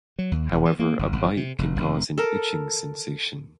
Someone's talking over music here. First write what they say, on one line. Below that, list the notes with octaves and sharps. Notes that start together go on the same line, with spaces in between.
However, a bite can cause an itching sensation.
F#3
D#2
E1
E3
A#3
G1
G1
C3
F1
F1
A4 A#4